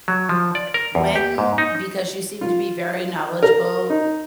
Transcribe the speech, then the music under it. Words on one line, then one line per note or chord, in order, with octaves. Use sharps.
When because you seem to be very knowledgeable
F#3
F3
D5
A#4
E2
G4
G#2
D#4
F4
A#4
D#4